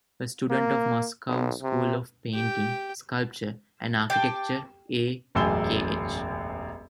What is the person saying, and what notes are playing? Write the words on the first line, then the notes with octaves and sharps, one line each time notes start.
A student of Moscow School of Painting, Sculpture and Architecture A. Kh.
A#3
B1
C3
G4 G5
G4 C5 G5 A5
E1 A1 F#2 G#5 E6 G7